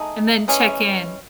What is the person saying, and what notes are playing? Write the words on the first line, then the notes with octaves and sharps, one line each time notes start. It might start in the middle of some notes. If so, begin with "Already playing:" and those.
And then check-in.
Already playing: A3 D#4 G#4
E3 G#3 C#4